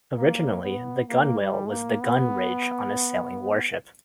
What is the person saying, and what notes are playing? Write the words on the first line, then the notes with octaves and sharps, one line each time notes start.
Originally the gunwale was the "gun ridge" on a sailing warship.
A#3
B3
A#3
G3
A#3
B3